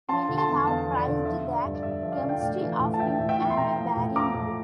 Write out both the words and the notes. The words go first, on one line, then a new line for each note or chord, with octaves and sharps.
Many have praised the chemistry of him and Barrymore.
F3 A5 C6
D3
A5 C6
E2
E2 F5 A5
F3
D5
D3
F3 E5
D3
D5
G2
D5
G2 E5
F3
D5 F5
D3
G5
A2 D5 F5
E3
A2
A5
E3 E5 G5
A2
E5 G5
E3
C6
A2 G5 A#5
F3
A2
F3 A#5 D6
A2